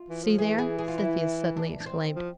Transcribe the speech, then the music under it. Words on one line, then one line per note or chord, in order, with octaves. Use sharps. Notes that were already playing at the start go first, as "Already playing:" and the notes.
"See there!" Cynthia suddenly exclaimed.
Already playing: F4
E3
F3
E3 G#4
G#4
G#4
F4
E4
D4
D4
C4
F3